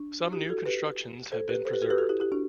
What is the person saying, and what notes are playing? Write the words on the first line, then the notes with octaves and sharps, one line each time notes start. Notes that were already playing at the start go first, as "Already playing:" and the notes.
Some new constructions have been preserved.
Already playing: D4
F#4
E4 G4
F#4 A4
G4 B4
A4 C5
G4 B4
A4 C5
G4 B4
F#4 A4
G4 B4
F#4 A4
E4 G4
E4 G4
D4 F#4